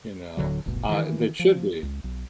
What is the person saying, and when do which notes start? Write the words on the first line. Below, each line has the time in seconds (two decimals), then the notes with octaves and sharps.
You know, uh, that should be.
0.37 D1 D#2 D3 F#3
0.66 D1 G1 B2
0.89 D#3 E3
1.39 F3
1.83 C#2
2.04 B1